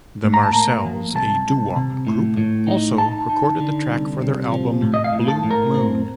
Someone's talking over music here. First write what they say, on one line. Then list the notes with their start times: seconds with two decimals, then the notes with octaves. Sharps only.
The Marcels, a doo-wop group, also recorded the track for their album "Blue Moon".
0.24 A2
0.34 A#5
0.43 A5
0.53 A#3 A#5
0.85 F3
1.15 C2 A5
1.46 C2
1.76 C3
2.07 A2
2.37 A2
2.68 D#4
2.98 D#4 A5
3.30 D#4
3.60 D3
3.91 C2
4.21 C3
4.52 F3
4.82 A2
4.94 D#5
5.04 F5
5.12 A2
5.28 A4
5.44 A2
5.51 A#4
5.74 C4